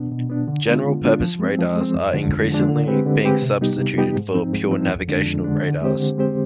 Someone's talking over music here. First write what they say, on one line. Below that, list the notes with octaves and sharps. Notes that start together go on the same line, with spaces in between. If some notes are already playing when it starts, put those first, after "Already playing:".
General purpose radars are increasingly being substituted for pure navigational radars.
Already playing: B2 B3 D4
B2
B3 D4
D3
G#3 B3 D4 F4
D3
G#3 B3 D4 F4
F3
G#3 C4
F3
G#3 C4
F2
D3 F3 G#3 D4
F2
D3 F3 G#3 D4
D3
G#3 C4 G4 B4
D3
G#3 C4 G4 B4
C3
G3 B3 D#4 G4
C3
G3 B3 D#4 G4
G#2
F3 C4 D#4
G#2
F3 C4 D#4
F2
D3 G#3 D4
F2
D3 G#3 D4
D3
G#3 C4 G4 C5
D3
G#3 C4 G4 C5